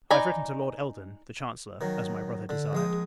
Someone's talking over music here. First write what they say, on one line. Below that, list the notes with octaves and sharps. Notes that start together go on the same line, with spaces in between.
I have written to Lord Eldon, the Chancellor, as my brother desired.
D#4 D5 G#5 A#5 B5
D#3 F#3
D3
A#1 G#3 D#6